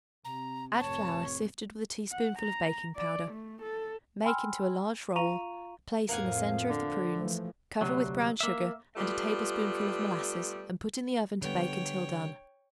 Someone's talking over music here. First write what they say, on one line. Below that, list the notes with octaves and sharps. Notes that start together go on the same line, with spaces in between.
Add flour sifted with a teaspoonful of baking-powder. Make into a large roll; place in the centre of the prunes; cover with brown sugar and a tablespoonful of molasses and put in the oven to bake until done.
C3 A#5
F1 A2 C#5 A5
F#5
A#5
D5
A3
A4
G5 G#5 B5 C6 E6 F6
F4 F5 A#5 C#6 D#7 F7
F2 A2 F3 A#3 F5 F#5 G#5
D3
E3 F3 A3
D2 C3 F#3
A#3 E5
G3 A3 B3 F4
D3 G3 B3 C#5 G5